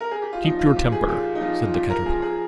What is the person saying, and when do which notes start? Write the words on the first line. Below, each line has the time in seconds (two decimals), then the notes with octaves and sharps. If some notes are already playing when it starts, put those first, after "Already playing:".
'Keep your temper,' said the Caterpillar.
0.01 A#4
0.11 G#4
0.22 G4
0.33 F4
0.44 F3 D#4
0.59 F4
0.76 F3 G4
0.92 G#4
1.08 A#2 G4
1.35 D#4
1.41 F3 F4
1.63 F4
1.74 F3 G4
1.90 A#4
2.05 F3 G#4
2.22 G#4